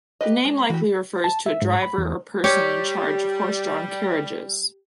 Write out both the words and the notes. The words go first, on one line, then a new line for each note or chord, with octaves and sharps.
The name likely refers to a driver or person in charge of horse-drawn carriages.
G4 B4 D#5
G#3
B5
E3 F#4 G4
A5
E5
G#2
B5
E2
G3 G4 C#5